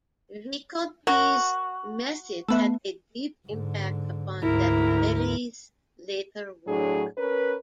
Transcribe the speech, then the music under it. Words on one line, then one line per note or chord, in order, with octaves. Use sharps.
Visconti's methods had a deep impact upon Zeffirelli's later work.
F#4 A#4
A3 B3 E5
G#2 D3
D2 G#2 E4 A#4
A2 F#3 D4 G#4
C#4 A#4 B4